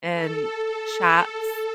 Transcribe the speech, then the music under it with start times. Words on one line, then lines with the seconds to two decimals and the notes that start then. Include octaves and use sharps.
And shops
0.14 A4